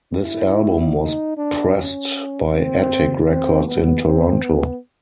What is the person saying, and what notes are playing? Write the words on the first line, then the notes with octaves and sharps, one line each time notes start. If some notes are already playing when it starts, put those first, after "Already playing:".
This album was pressed by Attic Records in Toronto.
E4
D#4
D4
C#4
C4
C4
B3
C4
B3